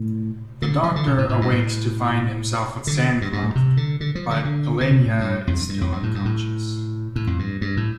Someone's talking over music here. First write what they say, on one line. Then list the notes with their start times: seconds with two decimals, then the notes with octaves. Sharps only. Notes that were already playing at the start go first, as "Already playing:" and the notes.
The Doctor awakes to find himself with Sancroft, but Elenya is still unconscious.
Already playing: A2
0.62 D3
0.83 F3
0.96 D3
1.07 C3
1.18 A2
1.29 A2
1.41 G2
1.51 A2
2.87 D3
3.21 G2
3.33 G2
3.43 A2
3.55 C3
3.77 D3
4.01 D3
4.15 F3
4.31 D3
4.45 D3
4.81 D3
4.91 C3
5.06 A2
5.20 G2
5.47 F2
5.58 G2
5.69 G2
5.81 F2
5.92 G2
6.03 A2
6.15 G2
6.25 A2
7.16 A2
7.27 F2
7.39 G2
7.61 G2
7.77 A2